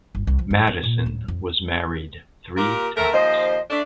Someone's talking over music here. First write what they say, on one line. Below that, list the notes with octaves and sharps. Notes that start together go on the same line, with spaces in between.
Madison was married three times.
G1
C2
F3
G2
B3
A#2
D1
F2
A#2 G4 A#4
A3 A#4
D#2 F3 C5 D#5
A3 D4